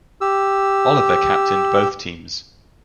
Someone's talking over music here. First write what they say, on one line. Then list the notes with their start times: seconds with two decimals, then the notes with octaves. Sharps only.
Oliver captained both teams.
0.21 G4 E6